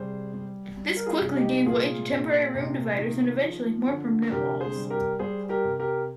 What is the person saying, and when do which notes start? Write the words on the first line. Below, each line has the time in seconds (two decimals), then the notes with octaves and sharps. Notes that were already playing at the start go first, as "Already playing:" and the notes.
This quickly gave way to temporary room dividers and eventually, more permanent walls.
Already playing: C3 G3 G#4 C5
0.34 G3
0.77 G3
0.97 A#4
1.06 F4 G#4
1.21 C3
1.37 D#4 G4
1.66 A#2 F4 G#4
2.10 A#2
2.54 C3
2.99 D#3
3.42 F3
3.87 D3
4.31 C3 G4 A#4
4.60 G#4 C5
4.76 G3
4.90 G4 A#4
5.19 G3 G#4 C5
5.49 G4 A#4
5.65 C3
5.80 G4 A#4